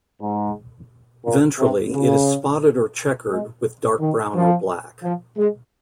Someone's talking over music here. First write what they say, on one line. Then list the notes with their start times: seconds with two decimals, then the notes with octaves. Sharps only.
Ventrally, it is spotted or checkered with dark brown or black.
0.21 G#2
1.25 A#2
1.59 C3
1.94 C#3
3.31 G#3
4.00 D#3
4.35 F3
5.03 F3
5.37 G#3